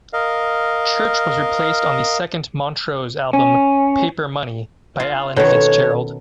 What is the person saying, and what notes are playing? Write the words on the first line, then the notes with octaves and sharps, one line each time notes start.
Church was replaced on the second Montrose album "Paper Money" by Alan Fitzgerald.
A#4 D#5 F5
C#4
F4
B2 D#3 C#4 A4 C#5